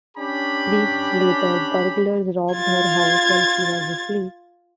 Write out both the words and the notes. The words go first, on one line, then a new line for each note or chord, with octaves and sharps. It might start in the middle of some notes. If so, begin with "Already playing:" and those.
Weeks later, burglars robbed her house while she was asleep.
C#4 D4 G4 B5
F4 G#6 A6